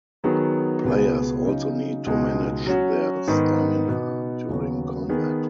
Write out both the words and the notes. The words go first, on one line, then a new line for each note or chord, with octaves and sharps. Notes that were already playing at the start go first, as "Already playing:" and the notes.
Players also need to manage their stamina during combat.
D#3 F#3 B3 G#4
C#2 B2 B3 G#4
C#3 F#3 D#4
C#2 B2 G#3 D#4
F#3 C#4 F#4
G#2 D#3 B3 D#4 B4
B2 B3 D#4
D#2 C#3 F#3 B3 F#4
D#3 B3 G#4 B4